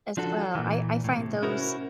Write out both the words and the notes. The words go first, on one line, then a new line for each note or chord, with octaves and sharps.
As well, I I find those
F3 D4 F#4 A4
A#2 E3
A2 C3
C#4 E4 F#4 A#4 C5